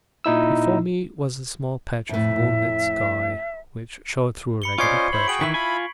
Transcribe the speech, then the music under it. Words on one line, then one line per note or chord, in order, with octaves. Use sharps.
Before me was a small patch of moonlit sky which showed through a ragged aperture.
A#2 D#4 E4 E6
F2 A2 E5
B5 C#7 G7
C#4 F4 C5 D5 D#5 C#6 G#6 C7
E4 C5 C#5 B5
F#4 G#4 G5 D7 F#7
D#3 E3 E4 B6 F#7
E4 F4 G#5 B5